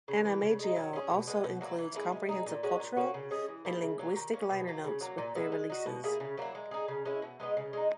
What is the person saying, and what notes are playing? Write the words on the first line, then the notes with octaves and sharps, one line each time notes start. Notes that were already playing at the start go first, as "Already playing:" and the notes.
AnimEigo also includes comprehensive cultural and linguistic liner notes with their releases.
C#3
E3 A#3
C#3
G#3 D#4
F#3
C#4 G#4
B2
G#3 B3
B2
F#3 A#3 E4
E3
A#3 E4 G#4
G#3
D#4 G#4
A#2
G#3 C#4 F#4
A#2
A#3 C#4 F#4
C#3
G#3 C#4 G#4
E3
A#3 E4 G#4
C#3
F#3 A#3 C#4
D#3
A#3 C#4
B2
F#3 A#3
C#3
F#3 A#3
A#2
G#3 B3 E4
G#3
D#4 F#4
B2
A#3 E4 G#4
C#3
F#3 A#3 E4
G#3
D#4 G#4
C#3
G#3 C#4 E4
B2
G#3 B3 D#4
C#3
G#3 D#4